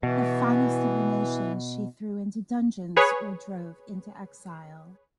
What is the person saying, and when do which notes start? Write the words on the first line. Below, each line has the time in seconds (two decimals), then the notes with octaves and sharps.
The finest of the nation she threw into dungeons or drove into exile.
0.03 B2 E3
2.97 G#4 B4 C#5